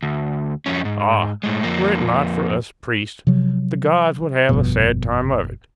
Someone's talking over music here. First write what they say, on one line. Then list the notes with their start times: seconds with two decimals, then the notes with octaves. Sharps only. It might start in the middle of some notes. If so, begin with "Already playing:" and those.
Ah! were it not for us priests, the gods would have a sad time of it.
0.03 D2
0.66 F2 C#4
0.85 G#2
1.43 A2 G#3
1.63 F2 A#3
3.27 C3 F3 F#3
4.49 G1 F2 B2